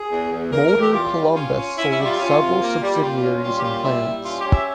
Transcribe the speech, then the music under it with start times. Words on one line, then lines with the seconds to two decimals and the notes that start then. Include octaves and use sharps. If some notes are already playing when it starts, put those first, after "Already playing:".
Motor-Columbus sold several subsidiaries and plants.
Already playing: G#4
0.11 E2
0.32 E2
0.52 E2 A#4
0.66 A#4
0.73 E2
0.80 G4
0.93 E2 F4
1.15 G3
1.35 C#4 F4
1.56 C#4
1.77 C#4 E4
1.91 E4
1.97 G3
2.05 F4
2.18 C#4 F4
2.38 C3
2.60 A#3
2.81 G3
3.01 A#2 F4
3.22 C#4
3.43 G3 F4
3.59 G4
3.63 A#2 F4
3.84 G3 E4
4.04 G3
4.25 C#4 F4
4.39 G4
4.46 C#4
4.53 E5